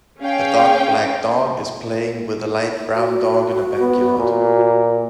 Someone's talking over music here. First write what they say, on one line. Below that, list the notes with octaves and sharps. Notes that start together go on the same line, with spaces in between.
A dark black dog is playing with a light brown dog in a backyard.
C#4 G#4 F5 G5
F#4
B3
A#2